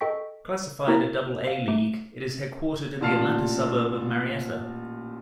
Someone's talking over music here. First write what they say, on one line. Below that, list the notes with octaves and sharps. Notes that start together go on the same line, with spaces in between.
Classified a Double-A league, it is headquartered in the Atlanta suburb of Marietta.
A4 D#5 G5 C#6 B6
A#3 C4 E4 F#4 A#4 A#5
C5 F5
A3
A1 A#2 F4 A5 F6 C7